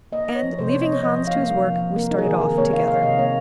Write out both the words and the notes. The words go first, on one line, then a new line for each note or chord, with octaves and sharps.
And leaving Hans to his work we started off together.
A#3 D#5
D#4
C#5
F3
C3 C5
A#3 C#5
D#5
D#4 C#5
F3 D#5
C3
F5
A#3
D#4
F3
C3
A#3 A#4
D#4
G#4
D#3
C3 A#4
A#3 C#5
D#4 F5
D#3 F5
C3 D#5
A#3 C#5